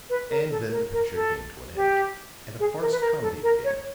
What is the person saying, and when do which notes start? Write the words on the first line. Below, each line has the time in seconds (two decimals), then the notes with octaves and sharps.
And then the picture came to an end, and a farce-comedy began.
0.09 B4
0.29 A#4
0.50 A4
0.71 A#4
0.93 A#4
1.14 A4
1.76 G4
2.59 G#4
2.81 A#4
2.91 B4
3.01 A#4
3.21 A4
3.43 A#4
3.64 C#5